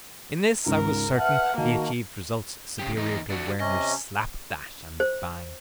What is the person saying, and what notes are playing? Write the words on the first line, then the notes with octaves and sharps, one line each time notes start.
In this I was certain he achieved results superior to Werner's slap, dash, and bang.
C#2 G#2 A#4
B4 E5 F#5 A5 F6
D#3 A#3 F#4 D#5 A5
C#3 G4
E2 D#4
D4 F#4
C3 C#4 D#5
C5